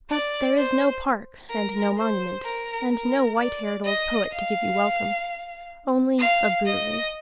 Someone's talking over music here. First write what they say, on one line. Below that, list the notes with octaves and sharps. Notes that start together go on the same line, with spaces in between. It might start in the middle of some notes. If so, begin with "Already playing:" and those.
But there is no park, and no monument, and no white-haired old poet to give you welcome--only a brewery.
D5
C5
A#4
C5
A#4
A#4
D5
D#5
F5
F5
D#5